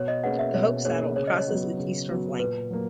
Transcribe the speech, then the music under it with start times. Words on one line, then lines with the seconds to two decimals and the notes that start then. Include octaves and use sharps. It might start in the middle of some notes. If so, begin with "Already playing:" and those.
The Hope Saddle crosses its eastern flank.
Already playing: B2 C#5
0.08 D#5
0.24 A#3 C#4 G#4 B4 F#5
0.39 E5
0.54 B2 C#5
0.85 A#3 C#4 G#4 B4 C#5
1.16 C#3 C#5
1.27 D#5
1.39 C#5
1.47 F#3 B3 F#4
1.78 C#3
2.08 F#3 B3 F#4
2.39 A#2 B4
2.70 F#3 A#3